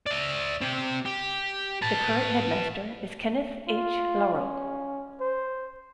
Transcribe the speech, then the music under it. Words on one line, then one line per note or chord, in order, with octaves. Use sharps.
The current headmaster is Kenneth H. LaRocque.
D5 E5
C4 G4
G4
B4 A5
F4
C#4
C5